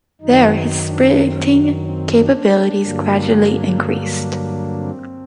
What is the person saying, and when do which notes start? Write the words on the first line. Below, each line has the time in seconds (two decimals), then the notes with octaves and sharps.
There, his sprinting capabilities gradually increased.
0.21 F#2 D#3 F#3 D#4
0.87 D4
1.19 C4
1.84 C4
2.17 D4
2.82 G2 D3 F#3 A#3
4.78 C4